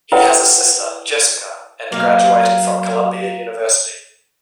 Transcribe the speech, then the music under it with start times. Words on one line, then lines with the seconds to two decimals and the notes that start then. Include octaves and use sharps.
He has a sister, Jessica, and graduated from Columbia University.
0.12 E4 A4 B4 C#5 F#5 G5
1.92 F#3 A#3 F5